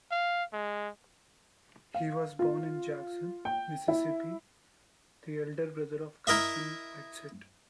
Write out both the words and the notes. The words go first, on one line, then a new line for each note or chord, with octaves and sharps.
He was born in Jackson, Mississippi, the elder brother of Carson Whitsett.
F5
G#3
F5
F4
G5
E4
E4 A#4 D#5 E5